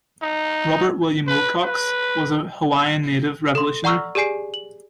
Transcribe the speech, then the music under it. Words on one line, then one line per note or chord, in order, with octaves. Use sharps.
Robert William Wilcox was a Hawaiian native revolutionary.
D#4
B4
B4
A4 C6
D5 F#5 A#5 C#6 E6 F6
G4 G#4 D5 G#5 C7 D7
F#7